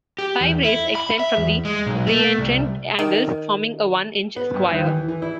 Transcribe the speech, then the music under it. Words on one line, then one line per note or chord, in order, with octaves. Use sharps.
Five rays extend from the reentrant angles, forming a one-inch square.
G4
E2
E4
B5
E5
E2
G#3
B1
A3
C2
D#3
B3
G2
D#2
E3
E3
E4